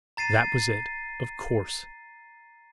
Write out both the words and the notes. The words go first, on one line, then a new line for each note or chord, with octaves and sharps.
That was it, of course.
A#5 A6 C7 D#7